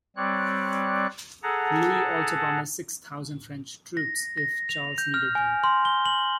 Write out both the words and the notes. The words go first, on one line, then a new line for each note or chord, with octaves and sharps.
Louis also promised six thousand French troops if Charles needed them.
G3 C4 C#5 D5 F#6
G#4 A4 F#5 A5 A#5
A#6
A#6
F7
G6
F6
G#5
C6
G7
F#7